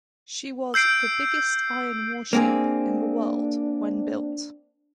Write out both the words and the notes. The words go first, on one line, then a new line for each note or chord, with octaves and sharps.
She was the biggest iron warship in the world when built.
E6 G6 C7 D7
A#3 C4 D4 G#4